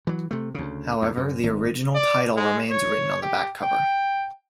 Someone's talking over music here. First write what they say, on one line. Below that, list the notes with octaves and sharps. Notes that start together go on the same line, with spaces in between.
However, the original title remains written on the back cover.
E3 F#3
C3 A3
D2 C#3
E2
F#2
G#1
D5
G#3
C#5
G4
G5